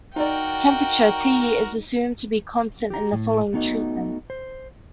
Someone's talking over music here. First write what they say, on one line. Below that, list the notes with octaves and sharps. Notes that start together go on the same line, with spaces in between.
Temperature, "T", is assumed to be constant in the following treatment.
D#4 F#4 A#4 D5 G5
G4 A#5
A2
A3 B3 D#4 F#4 D#5
C5